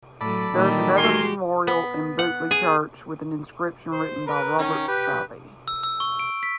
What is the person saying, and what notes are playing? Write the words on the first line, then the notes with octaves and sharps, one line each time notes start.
There is another memorial in Butleigh Church with an inscription written by Robert Southey.
A2 F#3 A4 D5 B5
A#2 D#3 E3 G3
F#4 G4 A#4 G#5 C6
B3
F#5
G#4
C5
A#4 B4
D#3 C#4
G4 B4
E6
E6
C#6
D7
B6